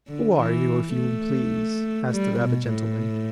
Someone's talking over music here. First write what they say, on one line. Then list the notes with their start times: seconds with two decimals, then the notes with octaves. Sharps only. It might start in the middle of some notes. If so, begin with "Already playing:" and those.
"Who are you, if you please?" asked the rabbit gentleman.
0.08 D3
0.37 E3
0.95 A3
2.11 G3
2.40 B2
2.69 A2